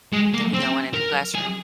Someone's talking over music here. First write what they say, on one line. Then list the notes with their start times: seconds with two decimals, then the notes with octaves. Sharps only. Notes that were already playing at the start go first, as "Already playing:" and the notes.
there'll be no one in the classroom.
0.13 G#3
0.34 A#3
0.53 C4
0.94 A#4
1.35 G#4